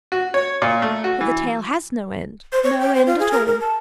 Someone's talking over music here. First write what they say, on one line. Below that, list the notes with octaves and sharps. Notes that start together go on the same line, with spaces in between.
For the tale has no end, no end at all.
F#4
C#5
A#2
A3
F#4
E3
C5
C#5
G5
C5
F4
G#4
A#4
A#4
A5